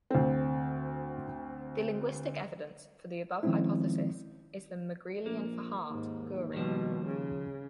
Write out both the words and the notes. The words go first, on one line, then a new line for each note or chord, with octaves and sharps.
The linguistic evidence for the above hypothesis is the Megrelian for "heart" - "guri".
D2 C4
D#3 F3 G#3 C4 C#4 E4
A#1 A#3
D#2 G#2
B2 D#3 F3 G3
C#3